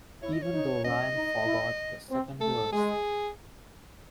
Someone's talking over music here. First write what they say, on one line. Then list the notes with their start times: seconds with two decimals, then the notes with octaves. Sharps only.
Even though Ryan forgot the second verse.
0.22 E4 C#5
0.33 D#5
0.42 C#5
0.53 D#4
0.84 C#4 D#5
1.16 D#4
1.47 E4
2.10 C4
2.41 A3 A4
2.73 G#3 G#4